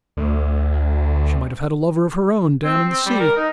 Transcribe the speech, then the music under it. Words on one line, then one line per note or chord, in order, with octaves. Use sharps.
She might have had a lover of her own down in the sea.
D2
C4
C4
G3
A#4
D#4